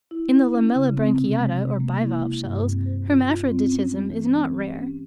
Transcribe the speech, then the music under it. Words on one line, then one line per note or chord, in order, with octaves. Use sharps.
In the Lamellibranchiata, or bivalve shells, hermaphroditism is not rare.
E4
E4
C#4
C#3
C4
C3
G#3
C3
A#3
E4
G#3
G2
C4
C5
F4
F4
C4
C#4
G#3
E3
C4
G4
C#4